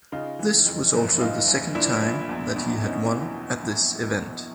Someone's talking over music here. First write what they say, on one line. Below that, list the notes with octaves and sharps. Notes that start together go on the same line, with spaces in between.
This was also the second time that he had won at this event.
C#3 D#4 F4
E3
F2
F#1
A#1 D#4 F4
A#1
A#2 D4 E4
A#1
E2
B2
E2 C#4 D#4